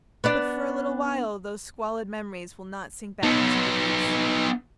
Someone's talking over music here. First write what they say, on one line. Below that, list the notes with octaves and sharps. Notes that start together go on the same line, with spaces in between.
But for a little while those squalid memories will not sink back into the deeps.
B3 D4 D5
B3 D#4